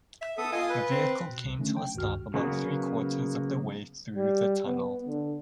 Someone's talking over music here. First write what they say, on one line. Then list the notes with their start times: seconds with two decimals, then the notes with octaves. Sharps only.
The vehicle came to a stop about three-quarters of the way through the tunnel.
0.21 E5
0.38 B3 A4 D#6
0.52 F4 D#5 G#5 D#6
0.69 B4
0.91 C4
1.29 B2
1.44 C2
1.58 D3 D#3 F#3 A3 C#4 D4
1.77 G5
1.95 G#1 C#2 G2 F#4 F6
2.34 C#3 F#3 A#3 B3
4.16 G3
4.66 B3
5.08 D3